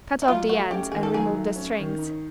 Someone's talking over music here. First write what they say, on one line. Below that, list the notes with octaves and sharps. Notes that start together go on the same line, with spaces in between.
Cut off the ends and remove the strings.
E4
F#3 F4
A3 F#4
C#4 G4
D#3 G#4
A4
F#3 G#4
A3
C#4
D#3
D#4